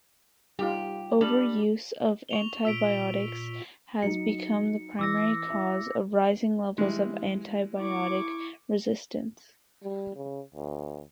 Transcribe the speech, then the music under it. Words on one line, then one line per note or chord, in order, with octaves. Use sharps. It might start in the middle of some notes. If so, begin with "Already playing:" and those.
Overuse of antibiotics has become the primary cause of rising levels of antibiotic resistance.
G3 D#4 F4 G4
G3 D4
C#6 F7 G7
A#2 E6 B6 D7
F#3 D#4 C#7
E3 D6 E6 A#6
E4 E5
E3 G3 G#3
E4 C#6 D6
G3
C#3
D2